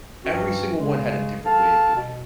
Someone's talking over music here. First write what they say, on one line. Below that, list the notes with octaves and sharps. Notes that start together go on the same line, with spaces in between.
every single one had a different way of doing it,
G2 C4 C#4 F#4
C#3 G#3
A4 F5 A5
B2